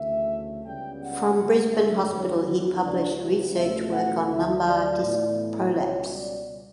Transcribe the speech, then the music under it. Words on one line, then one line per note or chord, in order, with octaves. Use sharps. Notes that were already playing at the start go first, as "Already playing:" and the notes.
From Brisbane Hospital he published research work on lumbar disc prolapse.
Already playing: D2 C#3 E3 A3 E5
C#2 C#3 G3 B3 G5
F#5
G2 D3 A3
E5
E2 D3 F#3 B3 C#5
F#4
C#2 C#3 E3 G3 B3 D4
F#4
C#2 B2 A3 E5
F#5
D2 D3 F#3 E5
D5
A2 E3 B3
C#2 B2 G3 C#5
D5